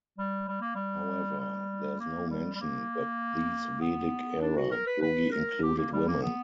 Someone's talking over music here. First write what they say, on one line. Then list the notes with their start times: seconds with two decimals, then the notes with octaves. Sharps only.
However, there is no mention that these Vedic era Yogi included women.
0.18 G3
0.48 G3
0.62 A#3
0.75 G3
1.40 G3
2.00 A#3
2.30 G3
2.55 G3
2.60 A#3
3.81 B3
4.41 D4
4.57 F#4
4.72 A#4
4.87 B4
5.02 B4
5.32 A#4
5.63 G4
5.78 A#3
5.92 G3
6.08 A#3
6.23 B3